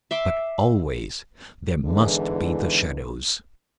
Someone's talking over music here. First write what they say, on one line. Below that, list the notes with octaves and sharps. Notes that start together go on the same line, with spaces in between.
But always there must be the shadows.
E5 C6 D6
E2 G#2 D3 E3